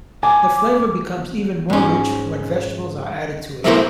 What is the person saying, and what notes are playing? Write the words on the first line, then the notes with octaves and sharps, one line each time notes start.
The flavour becomes even more rich when vegetables are added to it.
G#5 D6
G#2 C#4
F#3 A3 A#3 E4 A#4 C5